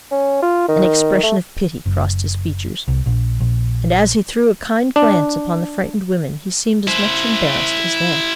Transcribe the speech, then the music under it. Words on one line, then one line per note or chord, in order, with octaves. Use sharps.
An expression of pity crossed his features, and as he threw a kind glance upon the frightened women he seemed as much embarrassed as they.
C#4
F4
D#3
A3
F#1
C2
A#1
A#1
D4
E4 C5